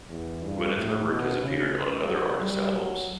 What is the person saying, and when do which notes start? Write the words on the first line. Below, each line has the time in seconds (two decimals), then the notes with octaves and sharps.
Gwyneth Herbert has appeared on other artists' albums.
0.10 E2
0.43 G2
0.76 A2
1.09 B2
1.42 C#3
2.07 F#3
2.40 G3
2.73 F#3